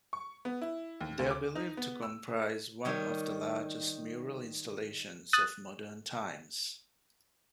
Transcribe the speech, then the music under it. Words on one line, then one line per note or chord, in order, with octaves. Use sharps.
They are believed to comprise one of the largest mural installations of modern times.
C#6
B3
E4
D#2
D2
D6
D#4
B3
E6
D#3 G3 C#5
D#6 F#6 A6